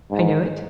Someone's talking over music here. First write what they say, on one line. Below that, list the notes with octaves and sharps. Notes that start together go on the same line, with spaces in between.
"I know it."
G#2